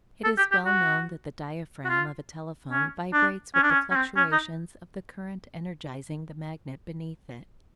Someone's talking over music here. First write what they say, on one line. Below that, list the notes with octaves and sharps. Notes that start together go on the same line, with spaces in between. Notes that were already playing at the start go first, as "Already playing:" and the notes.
It is well known that the diaphragm of a telephone vibrates with the fluctuations of the current energizing the magnet beneath it.
A4
G4
G4
F#4
F#4
F4
C#4
D4
C#4
D4
C#4
C#4
C4
C#4
D#4